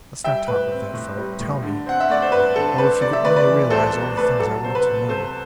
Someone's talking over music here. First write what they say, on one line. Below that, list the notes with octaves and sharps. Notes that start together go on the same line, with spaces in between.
Let's not talk of that. Philip, tell me--oh, if you could only realize all the things I want to know.
G3 E5 G5
A2 B4
C4
A2
G3
A2
D3
C4 F#5
E5
A3 D5
C5
G2 B4
D3 A4
C4 B4
C3 D5
E5
A3 B4 D5
B4 D5
E3
C2 A4 C5
C3 A4
A3 B4
F#3 A4
C3 C5
B4
C4
C3 A4 C5